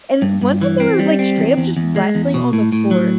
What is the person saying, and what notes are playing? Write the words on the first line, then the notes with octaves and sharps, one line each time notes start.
I and one time they were, like, straight up just wrestling on the floor,
G2
G2
E3
C4
G3
C4
E2
E2
E2
G#3
E2
B2
A2
A2
F#3